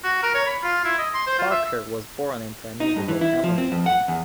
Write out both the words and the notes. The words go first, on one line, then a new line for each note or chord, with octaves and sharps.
Parker was born into a musical family.
F#4
A#4
C#5
B5
F4
E4
D#5
C6
C5
F4
E5
D#4
G2
E3
E4
F3
C4
F2
F#5
E2